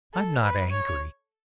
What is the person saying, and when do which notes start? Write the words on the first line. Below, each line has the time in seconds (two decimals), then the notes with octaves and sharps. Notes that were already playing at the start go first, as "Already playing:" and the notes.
I am not angry.
0.14 A4
0.42 B4
0.71 C#5